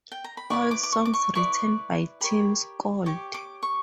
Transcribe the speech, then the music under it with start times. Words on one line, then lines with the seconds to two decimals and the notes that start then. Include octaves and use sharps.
All songs written by Tim Skold.
0.12 G5
0.24 A#5
0.37 B5
0.50 E4 B4 D5 C#6
0.71 D6
0.83 D6
0.92 C#6
1.05 D6
1.14 C#6
1.35 E4 B4 D5 C#6
2.21 G4 A#4 C#5 B5
3.06 G4 C#5 D6
3.34 D6
3.63 C#6